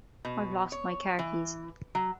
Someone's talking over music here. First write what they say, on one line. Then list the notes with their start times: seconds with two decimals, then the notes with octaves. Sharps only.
I've lost my car keys.
0.25 B2
0.72 C#5
1.19 E3
1.95 F#3